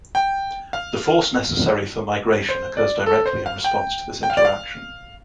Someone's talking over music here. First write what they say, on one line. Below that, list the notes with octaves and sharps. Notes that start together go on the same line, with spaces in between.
The force necessary for migration occurs directly in response to this interaction.
G5
F5
C5
D5
A4
C5
F5
G5
G5
F5
D5
F5